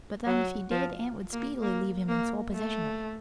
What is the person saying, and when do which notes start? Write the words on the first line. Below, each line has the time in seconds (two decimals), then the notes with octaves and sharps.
But then if he did, Aunt would speedily leave him in sole possession of it.
0.26 F#3
0.71 F3
1.33 A#3
1.62 A#3
2.08 A#3
2.53 A3